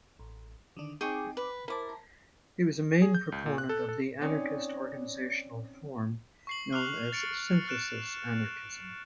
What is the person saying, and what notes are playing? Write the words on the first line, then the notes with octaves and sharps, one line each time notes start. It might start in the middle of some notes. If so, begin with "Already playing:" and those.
He was a main proponent of the anarchist organizational form known as synthesis anarchism.
A1
D3 D#3 D4
C4 D#4 G#4 G5 C#6 D6
B4
E4 A#4 C5 A5 D6
G#4
G6
C#2
A#2
F#6
A4
A4
C4 C#4 D#4 C#5 D5
C#6 C7 F#7
F6 F#6 F7
A6 C#7 D7
F6 F#6 D7 E7